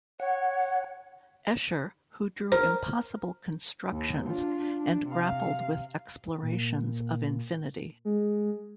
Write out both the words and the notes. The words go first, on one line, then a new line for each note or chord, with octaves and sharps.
Escher, who drew impossible constructions and grappled with explorations of infinity.
C#5 F#5
A#4 C5
D#2
D4 F4
D4
C3 F5
A#2
G#3